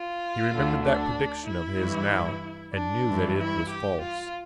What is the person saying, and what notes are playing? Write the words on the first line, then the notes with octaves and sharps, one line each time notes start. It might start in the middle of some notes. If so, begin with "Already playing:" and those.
He remembered that prediction of his now and knew that it was false.
Already playing: F4
D2 D3
D4
E4
G2 E3
D4
G2 E3
E4
G4
F4